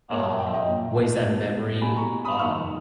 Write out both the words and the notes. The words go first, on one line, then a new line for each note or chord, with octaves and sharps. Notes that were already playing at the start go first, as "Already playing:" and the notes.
um, ways that memory, um
A#2 A#3 A#4 C#5
G5
E5
D#5 G5
A#2 A#3
B2 G3 A#3
B2 G3 A#3 G#5 B5
A#5 C#6
B5 D#6
D#3 A#3 C#6 E6